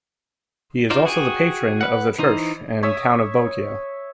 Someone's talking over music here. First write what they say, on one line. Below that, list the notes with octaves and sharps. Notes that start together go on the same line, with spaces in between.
He is also the patron of the church and town of Bocaue.
D#4 F4 C5 D5
F#4 G#4 G5 G#5
B4 F#5
E3 D#4 C5
C#5 E5 D#6